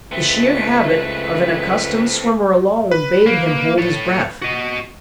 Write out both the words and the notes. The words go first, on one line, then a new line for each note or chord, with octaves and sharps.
The sheer habit of an accustomed swimmer alone bade him hold his breath.
C#2 A3 C4 B4
B4
A#3
A4 C#5
F#4 D#5